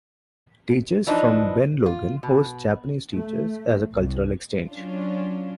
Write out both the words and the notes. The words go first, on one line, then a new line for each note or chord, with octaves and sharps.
Teachers from Ben Logan host Japanese teachers as a cultural exchange.
E3 F3 D4 D#4
F4
B2
A3
C2
F#3 C#4 D4 F4